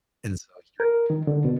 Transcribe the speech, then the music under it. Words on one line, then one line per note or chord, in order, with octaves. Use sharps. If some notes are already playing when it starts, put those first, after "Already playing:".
and so he
A#4
D#3
D3
B2